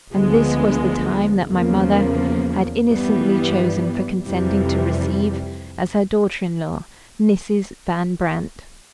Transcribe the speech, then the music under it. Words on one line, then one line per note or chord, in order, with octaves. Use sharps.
And this was the time that my mother had innocently chosen for consenting to receive as her daughter-in-law Mrs. Van Brandt!
D2 D3 F3 G#3 B3
E2 C#3 F3 A#3
G2 E3 G3 B3
F2 C3 E3 G3